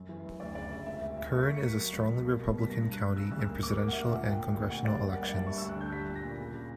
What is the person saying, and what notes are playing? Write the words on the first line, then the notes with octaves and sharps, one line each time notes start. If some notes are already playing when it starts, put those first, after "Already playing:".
Kern is a strongly Republican county in Presidential and congressional elections.
Already playing: F#2
E3
F#2
D2 D5
C#3 D5
D2 E5
C#2 E5
C#2 E5
C#2 E5
A#3 C#6
B6
A#3
C#7
A#3 B6
F#3
C#2
B2
A#3
B2
G3 B6
G2 A#6
G2
F#6
G2
C#3 E6
D2
E6
A#3
A#3 D6
A#3
F#5
D2 E5
A#2 F#5
A#2
G5
A#3
D2 G5
D2 F#5
G3 D5
A#3 D5
F#5
G2
D5
G2 E5
G3 C#6
E6
D2
F#6
D3 G6
G3 B6
A#2
A#6
A#2
C#3
C#3